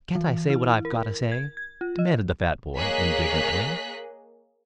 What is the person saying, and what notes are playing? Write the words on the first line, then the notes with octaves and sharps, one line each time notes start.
"Can't I say what I've got to say?" demanded the fat boy indignantly.
E3
E4
A#4
G#6
G#6
F4
D#5
A#3 G#4 C#5 D#5 F#6 B6